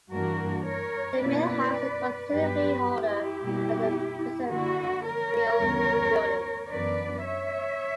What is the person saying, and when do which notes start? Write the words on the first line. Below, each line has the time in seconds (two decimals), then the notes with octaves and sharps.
The mill house is considerably older than the present mill building.
0.11 G2 E3 A#3 D4 F#4 A#4
0.66 A#4 C#5
1.21 B2 A#3 C#4 E4 B4 D5
2.31 G2 F#3 B3 G4 B4
2.86 E4 G4
3.40 B2 G3 A#3
4.49 D3 A#3 E4 F#4
5.04 A#4 C#5
5.59 D2 C#3 E3 G3 B3
6.69 F#2 E3 B3 D4 B4 D5
7.24 C#5 E5